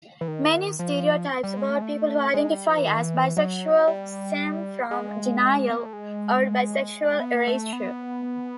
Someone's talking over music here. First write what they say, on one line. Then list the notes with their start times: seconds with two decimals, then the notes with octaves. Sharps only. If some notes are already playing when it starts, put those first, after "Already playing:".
Many stereotypes about people who identify as bisexual stem from denial or bisexual erasure.
0.21 E3
0.28 D#3
0.79 F3
1.43 G3
1.57 G#3
1.70 A3
1.78 G#3
1.82 A3
2.34 G#3
2.51 G3
2.68 F3
2.78 E3
2.87 D#3
2.97 E3
3.37 F#3
3.87 G3
4.91 G#3
5.69 B3
5.78 A#3
5.85 A3
5.93 G#3
7.20 B3
7.34 A#3
7.47 A3
7.73 B3